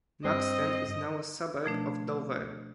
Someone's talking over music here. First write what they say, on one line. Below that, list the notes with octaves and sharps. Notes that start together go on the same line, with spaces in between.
Maxton is now a suburb of Dover.
G2 C4 D#5
B2 F3 A3 D4